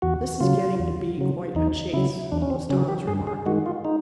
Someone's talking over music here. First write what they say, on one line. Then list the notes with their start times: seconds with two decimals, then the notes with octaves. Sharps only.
"This is getting to be quite a chase," was Tom's remark.
0.02 E2 F#4
0.40 C#3 F#3 F4
0.79 E2
1.18 C#3 F#3
1.55 E2 D#4
1.93 C#3 F#3 E4
2.32 E2 D4
2.42 C#4
2.50 C4
2.69 C#3 F#3 C#4
2.88 G4
3.07 G2 G#4
3.27 G#4
3.46 D#3 G#3 F#4
3.66 F4
3.85 D#4